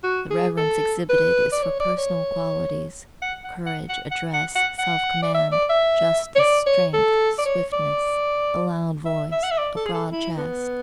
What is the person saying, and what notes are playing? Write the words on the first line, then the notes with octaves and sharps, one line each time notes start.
The reverence exhibited is for personal qualities; courage, address, self-command, justice, strength, swiftness, a loud voice, a broad chest.
F#4
G#4
A4
B4
D5
C#5
D5
C#5
F#5
F#5
F#5
F#5
F#5
F#5
F#5
F#5
D5
E5
D5
E5
C#5
D5
C#5
A4
D5
C#5
D5
E5
E5
F#5
E5
D5
A4
G#4
A4
E4
B3